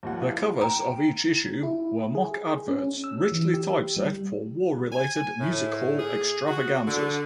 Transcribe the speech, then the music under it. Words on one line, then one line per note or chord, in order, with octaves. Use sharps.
The covers of each issue were mock adverts, richly typeset, for war-related music-hall extravaganzas.
D#2 F3 F#5
E4 F4
G5 A#5 D7
E4
G#4
C#4
E6
E3
G4
G3
G#5
A2
G#4
F#4
D3